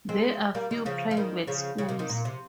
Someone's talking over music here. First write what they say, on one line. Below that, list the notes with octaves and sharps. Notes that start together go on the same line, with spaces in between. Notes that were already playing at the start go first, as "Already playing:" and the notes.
There are few private schools.
G#3 C4
G3 A#3
D#3 G3
C#3 F3
F3
D#3 G3
C#3 F3
C#3 F3
C3 D#3
C3 D#3
A#2
C3